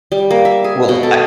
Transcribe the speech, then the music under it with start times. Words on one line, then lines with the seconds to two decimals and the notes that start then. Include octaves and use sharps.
Well, I
0.12 G3
0.31 A#3
0.45 E5
0.64 G#4
0.89 B2
1.03 A4